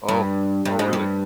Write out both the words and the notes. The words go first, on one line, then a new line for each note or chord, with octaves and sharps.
Oh, y oh, really?
G2
G2
G#2
G2